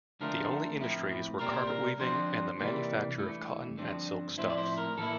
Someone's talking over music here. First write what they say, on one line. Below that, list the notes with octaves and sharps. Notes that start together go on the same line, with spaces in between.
The only industries were carpetweaving and the manufacture of cotton and silk stuffs.
D3 F3 A3 C4 F4 A#4
A2 F3 C4 E4
C2 A#2 G3 C4 A#4
C5
A#4
D3 F3 C4 C5
C3 E3 G3 A#3
G2 E3 A3
G2 D3 F3 C4
A2 F3 C4 E4 C5
D5
C5
A#4
A2 E3 A#3 E4 A4